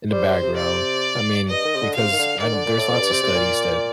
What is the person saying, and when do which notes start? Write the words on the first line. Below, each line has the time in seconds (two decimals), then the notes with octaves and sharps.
in the background. I mean, because and there's lots of studies that
0.11 G3 C5
0.26 G3
0.43 C3
0.57 D5
1.49 G2 D#5
1.65 D#3
1.75 C3
1.81 D3
1.96 C3 F5
2.12 D#3
2.19 D3
2.42 D#3 D5
2.54 D3
2.66 A#2
2.77 A2
2.89 F2
3.00 G2
3.11 C3
3.23 C3
3.35 A#2